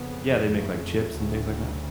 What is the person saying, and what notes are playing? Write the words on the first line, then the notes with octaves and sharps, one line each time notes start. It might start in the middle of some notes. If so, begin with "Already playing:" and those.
Yeah, they make, like, chips and things like that.
Already playing: F2 C#3 B3
A3
D2 C#3